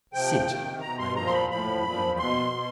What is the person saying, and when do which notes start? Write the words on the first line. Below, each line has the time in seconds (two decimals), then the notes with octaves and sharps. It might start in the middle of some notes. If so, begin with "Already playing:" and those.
"Sit," I ordered the eunuch.
0.13 C3 F3 G5
0.47 C3 D#3
0.81 B2 A#5
0.99 C6
1.15 A#2 F3 A#5
1.27 C6
1.32 B5
1.50 A2 F3 B5
1.84 A#2 F3
2.18 B2 C6
2.53 B2